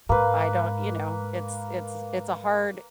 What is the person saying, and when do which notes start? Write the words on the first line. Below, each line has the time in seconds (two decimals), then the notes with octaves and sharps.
I don't you know, it's it's it's a hard
0.09 G#2 A#3 B4